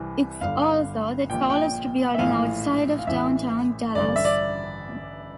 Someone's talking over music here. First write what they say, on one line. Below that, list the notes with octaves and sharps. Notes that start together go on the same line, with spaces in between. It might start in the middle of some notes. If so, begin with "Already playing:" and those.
It's also the tallest building outside of Downtown Dallas.
Already playing: C2 C3 E3
G1 G2 D3 F5
A#1 A#2 G5
G5
E5
A#1 A2 E3 F5
F5
A1 A2 E3 E5
A1 G2 D3 D5
E5
D5